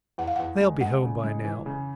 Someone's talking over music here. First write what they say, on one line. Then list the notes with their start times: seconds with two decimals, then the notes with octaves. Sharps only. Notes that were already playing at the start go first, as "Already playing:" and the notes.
They'll be home by now.
0.18 E2 F#5
0.27 F5
0.36 E2 F#5
0.61 G#3
0.81 G#3 F#5
1.02 C#3
1.24 G#3
1.44 E3
1.66 C#3